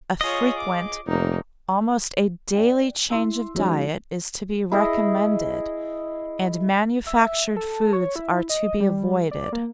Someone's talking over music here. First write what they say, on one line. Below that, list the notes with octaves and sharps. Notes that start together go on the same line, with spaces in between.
A frequent--almost a daily--change of diet is to be recommended, and manufactured foods are to be avoided.
F4 G#4 C#5 D#5
D6
F1 A#3 D#4
D5 G5
E4 C6 E6
F3 G#3 C#4 D#4 F#4 C#5
E4 G#4 D#5
E5
A4
C#5
E4
D#5
G3
D5
A#3